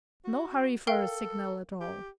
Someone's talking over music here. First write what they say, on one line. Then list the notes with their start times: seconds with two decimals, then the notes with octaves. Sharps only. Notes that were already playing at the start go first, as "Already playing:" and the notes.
No hurry for a signal at all.
0.24 F#4
0.87 A4 A#4 F5 G5
1.81 G4